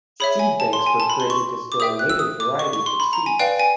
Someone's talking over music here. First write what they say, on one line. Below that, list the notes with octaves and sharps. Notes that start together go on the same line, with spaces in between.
Seed banks were created to store native varieties of seeds.
G#4 C#5 E5 B5
G#5
A5
C6
G#5
A5
B5
C6
C#6
D6
G#4 C5 E5 G5 D#6
F#6
E6
D#6
D6
C#6
C#6
C6
B5
A#5
G#5
B4 D5 F5 G5
G#5